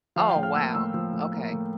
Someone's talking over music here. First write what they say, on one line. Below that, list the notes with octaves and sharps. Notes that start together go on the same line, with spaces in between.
Oh, wow, okay.
F3 F5
G5
A2
F6
A#3 E6
A2 E6
F3
A2
A#3
A2